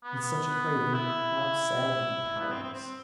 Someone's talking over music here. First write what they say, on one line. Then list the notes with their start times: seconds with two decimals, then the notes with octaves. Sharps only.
With such a craving, how sad to be powerless!
0.04 B3
0.94 E4
2.40 B3
2.52 C4
2.63 C4
2.74 C4